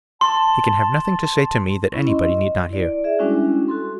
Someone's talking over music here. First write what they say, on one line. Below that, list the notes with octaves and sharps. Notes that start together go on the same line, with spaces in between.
He can have nothing to say to me that anybody need not hear.
A5 C6
C#4 E4 B5 C#6
D#5 C6
E4 D5
G#4 E5
G3 G#3 C#4 D4 E4 F#4
F#4 A4 C6